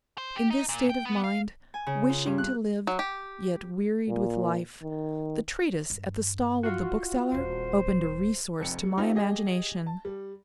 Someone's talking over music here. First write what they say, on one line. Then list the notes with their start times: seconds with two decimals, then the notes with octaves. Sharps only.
In this state of mind, wishing to live, yet wearied with life, the treatise at the stall of the bookseller opened a resource to my imagination.
0.18 C5
0.36 G4
0.51 D#4
0.69 A#2
0.89 G5
1.05 B3
1.24 F5
1.74 G#5
1.87 C#3
2.10 F4
2.26 G2
2.38 F#6
2.87 F#3
2.99 G4
4.09 A#2
4.82 D#3
5.90 G2
6.63 F4 F#4
7.32 D#1 C4 C5
8.60 F1 F2 C#7
8.83 G3
8.98 A3 C4 D#4 F4 G4
9.15 G4 G#4 D#5
9.86 A5
10.05 G3